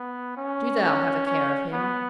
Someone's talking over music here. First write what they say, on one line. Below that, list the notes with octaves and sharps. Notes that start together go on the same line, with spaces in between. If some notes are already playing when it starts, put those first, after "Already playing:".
Do Thou have a care of him.
Already playing: B3
C#4
C#4
C#4
B3